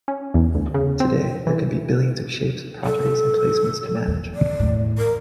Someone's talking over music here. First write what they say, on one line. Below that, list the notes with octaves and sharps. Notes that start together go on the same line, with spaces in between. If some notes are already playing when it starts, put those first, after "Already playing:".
Today, there can be billions of shapes, properties and placements to manage.
C#4
E2
D2
C#3
C4
E3
A4
E2
D5
E2 A2
A#4